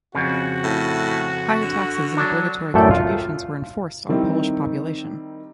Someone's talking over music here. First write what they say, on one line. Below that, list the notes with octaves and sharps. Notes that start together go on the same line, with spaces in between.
Higher taxes and obligatory contributions were enforced on Polish population.
F2 C#3 F#4
A2
D3
F#3 D4
F#2 A2 A3 A4 D5 G5
F4
D#3 G3 C4 D#4 E4